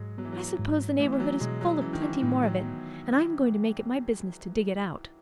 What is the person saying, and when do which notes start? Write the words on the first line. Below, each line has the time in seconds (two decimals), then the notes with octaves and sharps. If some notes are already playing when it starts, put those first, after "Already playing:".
I suppose the neighborhood is full of plenty more of it, and I am going to make it my business to dig it out.
Already playing: G#2 F#3 G#3
0.18 F#3 B3
0.25 E3
0.32 F#3
0.59 G#2
1.00 E3 A3
1.12 E3
1.20 F#3
1.40 B2 G#3
1.61 F#3
1.81 E3 C#4
1.93 D#3
2.02 E3
2.22 A2 D#3
2.42 F#3
2.63 B3